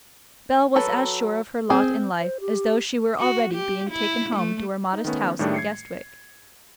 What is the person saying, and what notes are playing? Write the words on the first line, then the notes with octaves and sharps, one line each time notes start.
Bell was as sure of her lot in life as though she were already being taken home to her modest house in Guestwick.
F#3 A4 B4
C4 G#4
C5
G4
F#4
G4
E4
A3
D#4
D#3 A3 B3 C#4
A2 D#3 G3 A3 D4 G#4
G#6 C7 C#7